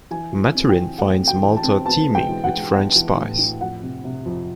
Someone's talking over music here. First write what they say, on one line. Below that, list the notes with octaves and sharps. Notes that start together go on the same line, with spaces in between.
Maturin finds Malta teeming with French spies.
E3 G#5
E3
C4
G5
E3
A3 F#5
C4
G5
E3
A5
C4
B3 A5
G#3
G5
E3
F#5
G#3
B3 F#5
E3
A2
A2
F2 F#5
C3
C3
F2